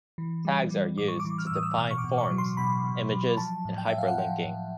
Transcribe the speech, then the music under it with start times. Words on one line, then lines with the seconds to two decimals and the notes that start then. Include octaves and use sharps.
Tags are used to define forms, images, and hyper-linking.
0.18 E3
0.45 G3
0.71 G3
0.98 A2 D6
1.08 C#6
1.20 D6
1.25 E3
1.38 F6
1.47 E6
1.51 A2 D#6
1.63 E6
1.78 B2 F6
1.91 C#6
1.98 D6
2.04 B2
2.18 C#6
2.31 F#3
2.38 C6
2.57 B2 B5
2.84 B2
3.12 F#3
3.37 F3 A5
3.65 A2
3.78 G5
3.88 A2 E5
3.98 F5
4.08 F#5
4.18 F3 G5
4.45 A2